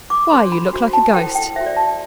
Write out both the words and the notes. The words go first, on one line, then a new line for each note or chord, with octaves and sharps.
'Why, you look like a ghost.
D6
D4 A4 C5 C6
B5
D4 F#4 C5
A5
E4 A4 C5 G5
G5
F#4 C5 E5
D5
A5